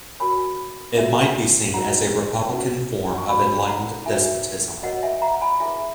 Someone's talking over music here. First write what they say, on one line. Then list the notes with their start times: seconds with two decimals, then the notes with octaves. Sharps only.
It might be seen as a republican form of enlightened despotism.
0.20 F#4 A#4 C#5 G#5 B5
0.97 F#4 A#4 C#5 E5 G#5
1.74 D#4 F#4 A#4 C#5 F#5 A#5
2.51 C#4 F#4 B4
3.18 C#6
3.29 F#4 C#5 G#5 B5
3.67 F#5 A#5
4.06 D#4 F#4 A#4 C#5 E5 G#5
4.83 F#4 A#4 C#5 D#5 F#5
5.03 E5 G#5
5.22 F#5 A#5
5.41 G#5 B5
5.60 E4 G#4 B4 E5 G#5